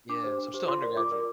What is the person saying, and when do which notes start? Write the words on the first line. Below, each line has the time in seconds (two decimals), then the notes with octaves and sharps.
Yeah, so I'm still undergraduate.
0.09 D4 D6
0.24 G4 C5
0.39 D4
0.54 G4 C5
0.67 F4 C6
0.82 A#4 D5
0.96 F4 D6
1.11 A#4 D5